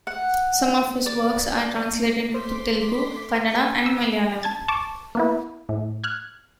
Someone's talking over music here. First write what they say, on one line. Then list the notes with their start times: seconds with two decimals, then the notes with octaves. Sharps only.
Some of his works are translated into Telugu, Kannada and Malayalam.
0.07 F#5
1.06 D5
2.34 A3 C5 C6 D6 B6
3.86 E6
4.43 A5 G#6 A6
4.68 A5 C#6 D6
5.15 A#3 B3 E4
5.69 A2
6.04 F6 F#6 G#6